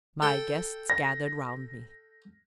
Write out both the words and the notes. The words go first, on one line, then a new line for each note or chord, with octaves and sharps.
My guests gathered round me.
A4 G5
A#6